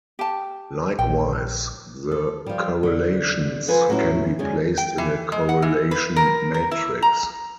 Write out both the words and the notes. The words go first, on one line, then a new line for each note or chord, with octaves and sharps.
Likewise, the correlations can be placed in a correlation matrix.
G4 A5
A#1 G5
A4
F3 G3
D3
F3 A4 B4 C5 G#5
A2 F#3 C#4 E4
F#2 D3 G#3 C#4 G#4
G5
E3
G#3
F#5
E3
B4
A#4
A#4
E4
A#5